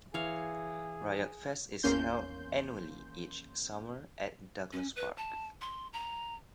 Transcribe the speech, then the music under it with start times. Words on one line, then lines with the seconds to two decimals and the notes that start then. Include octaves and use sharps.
Riot Fest is held annually each summer at Douglass Park.
0.14 E3 G#4 C#5 F5
1.83 G#1 E2 A#3 C#4 C6 G6
4.72 C#4
4.96 B4
5.17 A5
5.61 C6
5.93 A#5